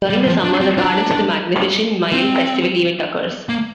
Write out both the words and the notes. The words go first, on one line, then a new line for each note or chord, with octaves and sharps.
During the summer, the "Gardens of The Magnificent Mile" festival event occurs.
G3
F3
D4
C4
D4
C4
A#3